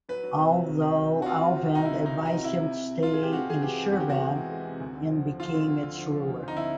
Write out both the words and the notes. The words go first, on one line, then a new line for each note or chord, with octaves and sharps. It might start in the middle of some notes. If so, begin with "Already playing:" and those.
Although Alvand advised him to stay in Shirvan and became its ruler.
F#3 B4
F#3
C2
F#3
C3
D#3
F#3
C3
F#4
C3 F4
F#3
C2
C2 D#4
C3 E4
D#3
D#4
F#3
C3 D#4
C3 E4
C3
C3
C3
C3 F4
C3 G#4
G4
C3 F#4
C3 G#4
E3 G4
C3
E2 F#4
G4
E2 F#4
G#3
E3
G#3
C3
D2
D3
F3
F3
D3 F4
D3
D3
D3
F3
F3
D2
F3
D#4
D3 E4